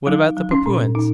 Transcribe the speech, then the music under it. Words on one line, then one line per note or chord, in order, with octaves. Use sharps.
"What about the Papuans?"
F#3 D#4
F#3
C#4
A#2
A#2 D#4